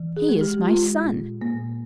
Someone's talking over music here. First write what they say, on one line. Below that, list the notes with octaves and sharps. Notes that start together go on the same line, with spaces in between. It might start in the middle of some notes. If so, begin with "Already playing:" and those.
He is my son.
Already playing: E3
G#4
G#3
G4
G#3 F4
A#2
A#2 A#3